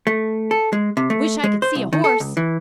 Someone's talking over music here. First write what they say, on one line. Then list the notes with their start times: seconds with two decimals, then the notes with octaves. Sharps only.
"I wish I could see a horse."
0.07 A3
0.51 A4
0.73 G#3
0.97 C3
1.10 A3
1.44 G#3
1.62 C5
1.75 C2
1.93 D#3
2.04 A4
2.20 C#2
2.37 E3